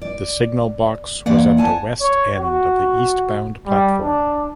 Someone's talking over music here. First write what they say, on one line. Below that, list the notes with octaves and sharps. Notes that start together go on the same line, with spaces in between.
The signal box was at the west end of the eastbound platform.
D5
E2 A#3 D5 F#5
F#5 G#5 A5
C#5
F#4
G3
D4